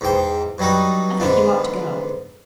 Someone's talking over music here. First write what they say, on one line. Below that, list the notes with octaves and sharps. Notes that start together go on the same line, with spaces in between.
I think you ought to go.
E2 G#2 G5
G2 F#3 G3 D#4 F#4
G#2 D3 B3 D4